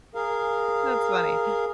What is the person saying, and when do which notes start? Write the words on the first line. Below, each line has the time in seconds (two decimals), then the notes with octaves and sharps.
That's funny.
0.15 G#4 A#4 F5